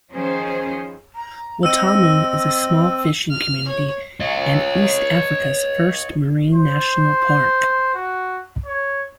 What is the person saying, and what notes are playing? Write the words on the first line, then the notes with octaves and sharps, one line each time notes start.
Watamu is a small fishing community and East Africa's first Marine National Park.
D#3 F3 C#4 G#4 C5
A#5
C4 D#5 E6 D#7
F6
C#5
C#5 D#5
C5
F#4
C#5